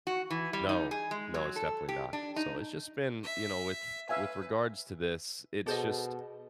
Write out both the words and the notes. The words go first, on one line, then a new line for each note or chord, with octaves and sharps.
No. No. It's definitely not. So it's just been you know, with with regards to this, it's just,
F#4
E3
G3
D#4
G#4
G#3
F#3
A4
G4
D4
D#4
E5
B4 E5 F5 G#5
B2 G#4 A4 C5 D#5